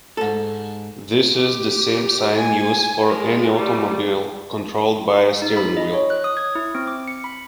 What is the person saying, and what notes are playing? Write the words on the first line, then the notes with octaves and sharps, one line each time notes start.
This is the same sign used for any automobile controlled by a steering wheel.
G#2 A4
G4
G#5
G#3 A#4
G3 A3
D#4
B5
D#5
C#5
F#6
D#6
G#6
E4
C4
D6
C#7
B5